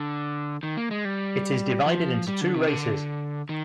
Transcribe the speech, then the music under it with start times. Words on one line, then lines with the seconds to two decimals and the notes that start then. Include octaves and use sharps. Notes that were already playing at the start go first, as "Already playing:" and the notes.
It is divided into two races.
Already playing: D3
0.63 D#3
0.77 A#3
0.91 G#3
1.05 G3
1.86 F3
2.27 G3
2.41 D3
2.54 C3
2.67 D3
3.49 D#3